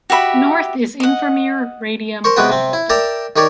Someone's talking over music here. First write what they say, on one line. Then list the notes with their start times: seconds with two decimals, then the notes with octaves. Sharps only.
North is Invermere, Radium, and Golden.
0.10 F#4 G4 E5 B5
1.00 D#5 F#5
2.24 A#4 C5 C#6
2.36 C3 G#3 B3 F#4 B4 G5
2.50 C3 C4
2.73 E4
2.90 A#4 D5 E5 G5 A5 A#5
3.36 D#3 G4 A#4 C#5 D5